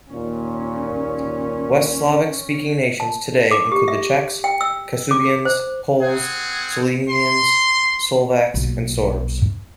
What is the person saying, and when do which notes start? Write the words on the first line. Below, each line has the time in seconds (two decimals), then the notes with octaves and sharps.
West Slavic speaking nations today include the Czechs, Kashubians, Poles, Silesians, Slovaks and Sorbs.
0.10 D#2 A#2 C#4
3.00 A5
3.51 D6
3.72 G4
3.88 E5
4.44 G5
4.61 E6
5.11 D6
5.45 C5
6.03 C4 G#4 F#5
7.09 C6
8.54 B1 A#2